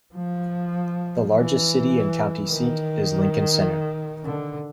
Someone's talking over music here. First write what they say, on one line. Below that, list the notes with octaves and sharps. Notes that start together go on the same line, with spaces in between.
The largest city and county seat is Lincoln Center.
F3
E3
D#3
D3